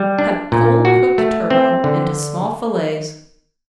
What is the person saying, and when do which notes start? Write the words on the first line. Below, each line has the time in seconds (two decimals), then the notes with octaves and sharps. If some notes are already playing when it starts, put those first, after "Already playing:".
Cut cold cooked turbot into small fillets.
Already playing: G3
0.19 D4
0.52 A#2
0.85 F#4
1.18 A3
1.50 C4
1.84 D3